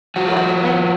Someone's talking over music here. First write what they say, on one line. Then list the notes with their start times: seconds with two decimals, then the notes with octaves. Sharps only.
what like,
0.16 F3 F#4